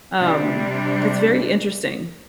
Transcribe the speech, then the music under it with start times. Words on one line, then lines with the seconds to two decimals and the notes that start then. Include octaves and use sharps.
Um, it's very interesting.
0.20 C3 G3 D4